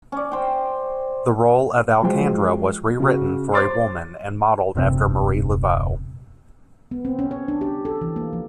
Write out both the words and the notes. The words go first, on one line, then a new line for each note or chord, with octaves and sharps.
The role of Alcandre was rewritten for a woman and modeled after Marie Laveau.
C#4 D5
C5 G5
F3 F#3 G#3 C5 G5
C#3 F#4
C5 C#5 C6 D6 A6
D#1 F#2 C3 C4
B3
C4
C#4
C#5
D4
G4
A4
E3
A#3
F3